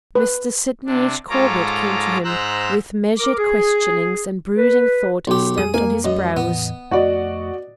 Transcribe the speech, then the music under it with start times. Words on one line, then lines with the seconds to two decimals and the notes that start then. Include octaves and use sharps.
Mr. Sydney H. Corbett came to him with measured questionings and brooding thought stamped on his brows.
0.15 B4
0.86 C3 D4
1.30 G#2 F4 A4 C#5 A#5 D6
2.24 G#2 C5 A#5 E6 F#6
3.18 A#4 D6
3.37 G#4
4.57 B4
5.27 B1 G4
5.58 F2 G#3 G#4 D#6
5.74 A#3 G#5
6.04 F#2 D#5
6.37 E2 A2 E3 B3
6.91 F2 A3 F#4 D5 D#5